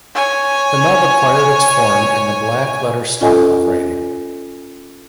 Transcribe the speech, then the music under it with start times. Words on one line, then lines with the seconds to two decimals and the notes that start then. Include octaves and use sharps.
The nub acquired its form in the blackletter style of writing.
0.15 C#5 G#5
3.21 C#4 F4 A4 D#5 G#5